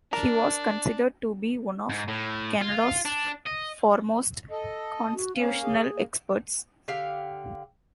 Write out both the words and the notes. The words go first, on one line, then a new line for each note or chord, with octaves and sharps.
He was considered to be one of Canada's foremost constitutional experts.
D4 A#4
G#2
A2
F4
D4
D#5
A4 D#5
F#4
A#3 C4 C#4 F5
G#4
A#3
D3 G4 F5 G5